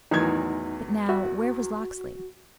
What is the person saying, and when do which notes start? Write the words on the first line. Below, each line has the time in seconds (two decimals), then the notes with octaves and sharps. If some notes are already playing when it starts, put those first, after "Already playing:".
"But now, where was Locksley?"
0.11 E2 A2 D#3 E3 F#3 D#4 G#6
1.09 F#4 E5